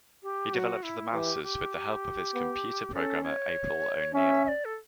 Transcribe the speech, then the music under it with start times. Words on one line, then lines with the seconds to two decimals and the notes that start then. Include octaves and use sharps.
He developed the Mousers with the help of his computer programmer April O'Neil.
0.23 G4
0.54 F#3 F#4
0.83 E4
1.13 E3 G4
1.43 G4
2.34 B3
2.94 C#4 A4
3.23 C#5
4.14 C#4 E5
4.45 E5
4.48 D5
4.65 A4